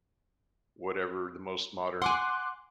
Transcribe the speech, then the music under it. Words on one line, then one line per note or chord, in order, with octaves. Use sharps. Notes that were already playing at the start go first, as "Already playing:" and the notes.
whatever the most modern,
F#5 G#5 C6 D6 F#6